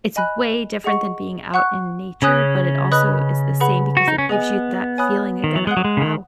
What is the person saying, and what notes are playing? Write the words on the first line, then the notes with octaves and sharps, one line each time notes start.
it's way different than being out in nature, but it also is the same because it gives you that feeling again of like, "Wow.
D#5 G#5 B5 F#6
G#4 D#5 F#5 C#6
F#5 C#6 F#6
C#3 C#4 C#5 G#5 D#6 F#6
B4 D#5 B5 D#6 F#6
G#4 B4 F#5 B5
F#4
D#4
C#4
B3 G#4 D#5 G#5
C#5 G#5 B5 D#6 F#6
D#3
F#3
G#3 F#5 D#6 F#6
F#3
G#3
C#3
D#3